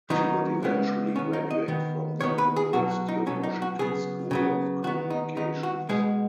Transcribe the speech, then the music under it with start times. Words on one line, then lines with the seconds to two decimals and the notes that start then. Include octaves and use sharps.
She would eventually graduate from the University of Washington's School of Communications.
0.10 D#3 F#3 B3 D#4
0.63 C#3 G#3 B3
1.16 B3 C#4
1.19 D#3
1.33 D#4
1.51 D#5
1.68 D#3 B3
2.21 D#3 B3 C#5
2.38 B4
2.56 G#4
2.73 B2 F#3 B3 F#4
2.91 F#4
3.08 D#4
3.26 B2 F#3 B3 C#4
3.43 D#4
3.62 F#4
3.79 C#3 F#3 B3 G#4
4.31 C#3 F#3 B3
4.84 D#3 F#4
4.87 B3
5.10 D#4
5.37 D#3 B3 D#4
5.63 F#4
5.89 B2 G#3 B3 G#4